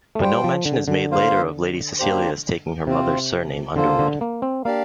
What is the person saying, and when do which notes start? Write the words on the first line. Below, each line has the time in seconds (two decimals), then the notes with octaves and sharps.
But no mention is made later of Lady Cecilia's taking her mother's surname Underwood.
0.15 A3
0.21 G3 F4 C5 G5
0.44 F3
0.66 D3
0.88 D3
1.11 A#3 F4 C5 F5
1.99 A#3 D4 G4 C5
2.87 C3 C4 F4 C5
3.76 D3 A#3 F4 A4 C5
3.99 D3
4.21 A#3
4.42 C4
4.65 A#3 D4 G4 D5 F5